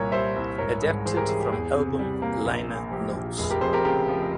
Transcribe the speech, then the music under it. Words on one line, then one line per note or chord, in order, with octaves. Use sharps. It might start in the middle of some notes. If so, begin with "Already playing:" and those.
Adapted from album liner notes.
Already playing: C2 A#2 A#4 C#5
G3 C5 E5
C2
G#1 A#4 C#5
G#2
E3 G#4 C5
G4 A#4
G#3 G#4
G4
E2 G#4
C3
G3
A#3
A#1
A#2
F3 G4
A#1
F1 G#4
G4 A#4
F2 G#4 C5
G4 A#4
C#3 G4 A#4
F3